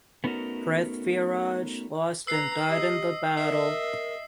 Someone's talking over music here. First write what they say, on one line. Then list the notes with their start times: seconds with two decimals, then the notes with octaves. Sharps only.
Prithviraj lost and died in the battle.
0.24 A3 B3 C#4 D#4 F#4 A#4
2.27 B4 A#5 E6 C7
2.68 G4 D#5
3.37 A#4 D#5 E5 C7